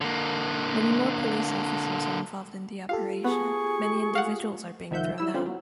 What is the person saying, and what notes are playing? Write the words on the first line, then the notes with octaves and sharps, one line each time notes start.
Many more Police Officers are involved in the operation, many individuals are being thrown out.
D3 A#3
F4 G4 A4 F5
B3 G#4 C#6
F5 F#5
C2 D#3 F3 E5 F#5 G6
G3 E4 E6
D3 G3 C4 C#4 F4
F#3